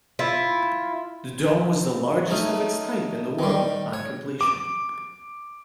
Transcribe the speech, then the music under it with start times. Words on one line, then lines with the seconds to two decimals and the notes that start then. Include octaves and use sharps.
The dome was the largest of its type in the world on completion.
0.19 E4 F4
2.30 A3 C#4 D#4
3.39 D#3 G3
3.93 C#5
4.41 D6